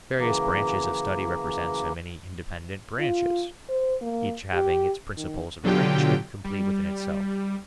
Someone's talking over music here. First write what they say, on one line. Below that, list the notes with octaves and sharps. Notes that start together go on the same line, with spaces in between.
Various branches of study represent so many independent branches, each having its principles of arrangement complete within itself.
C#3 E3 F#3 A#3
F4
C5
A#3
G4
D#3
B2 D3 F#3 F4 G4 G5
G3